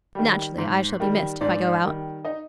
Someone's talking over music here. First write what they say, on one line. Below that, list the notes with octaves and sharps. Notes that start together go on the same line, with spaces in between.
Naturally I shall be missed, if I go out.
D#3 G3
G#2
D#3 G3
G#2 D4 D5
D#3 G3
D#4 D#5